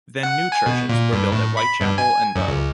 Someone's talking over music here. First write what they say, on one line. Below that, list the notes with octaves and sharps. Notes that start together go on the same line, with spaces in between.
Then new churches were built at Whitechapel and Bow.
F#5
G#5
B2
A#2
G2
A2
B5
G2
G#5
F#2
C#2